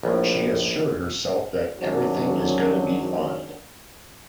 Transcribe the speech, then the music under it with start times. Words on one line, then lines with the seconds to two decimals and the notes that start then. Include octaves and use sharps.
She assured herself that everything is gonna be fine.
0.03 A#1 A2
1.78 G#1 F#2 F#3 C#4 D4